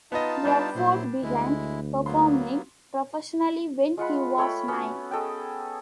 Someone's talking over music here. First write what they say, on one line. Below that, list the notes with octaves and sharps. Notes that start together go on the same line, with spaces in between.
Beauford began performing professionally when he was nine.
B3 D#4 F4 D#5 A5
G3 B3 D4
A#2 F#3 E4 C5
D2 G#3 E4
F#3 A#3 B3 C6
G#3 F4 F#5 B5
A3 C#5 G5 B5
B3 C#4 F#4
G#4 A4 D#5 G5